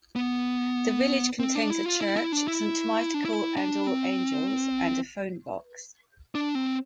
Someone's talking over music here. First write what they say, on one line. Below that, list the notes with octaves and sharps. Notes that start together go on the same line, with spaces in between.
The village contains a church, "Saint Michael and All Angels", and a phone box.
B3
C4
D4
E4
F4
E4
E4
D4
E4
D4
E4
D4
C4
D4
C4